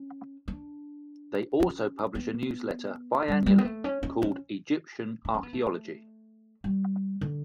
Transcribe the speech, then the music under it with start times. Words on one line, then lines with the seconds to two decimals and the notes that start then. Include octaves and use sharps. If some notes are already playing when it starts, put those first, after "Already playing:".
They also publish a newsletter bi-annually called "Egyptian Archaeology".
Already playing: C#4
0.48 D4
1.60 C#4
2.15 B3
3.28 G3
3.46 G3
3.58 B3
3.65 A3
3.84 C#4
4.03 C#4
4.22 C#4
5.25 D4
5.34 C#4
5.43 B3
5.53 A3
6.64 G3
7.21 D3